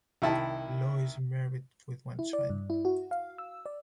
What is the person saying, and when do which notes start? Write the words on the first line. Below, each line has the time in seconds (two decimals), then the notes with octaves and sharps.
Loh is married with one child.
0.22 C2 D#3 E4 A5
2.19 E4
2.33 D5
2.50 G2
2.70 E4
2.85 F#4
3.11 F5
3.38 E6
3.66 D5